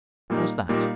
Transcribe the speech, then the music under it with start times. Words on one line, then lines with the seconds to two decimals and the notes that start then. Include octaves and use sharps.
How's that?
0.30 A#2 G3 A#3 D#4
0.69 A#2 G3 A#3 D#4